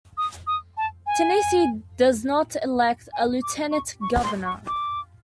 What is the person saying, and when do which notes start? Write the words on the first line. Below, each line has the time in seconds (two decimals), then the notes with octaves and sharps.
Tennessee does not elect a lieutenant governor.
0.17 D#6
0.47 D#6
0.77 A5
1.06 G#5
3.13 G#5
3.42 D6
3.71 C#6
4.02 C#6
4.24 C6
4.45 C#6
4.67 D6